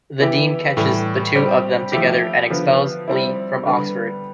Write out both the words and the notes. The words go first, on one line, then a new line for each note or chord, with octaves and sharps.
The Dean catches the two of them together and expels Lee from Oxford.
E3 B3 E4 G4
A2 E3 G3
G3 C4 G4
F3 A3 E4 G4
D3 F3 B3
G3 C4 E4
D3 G3 B3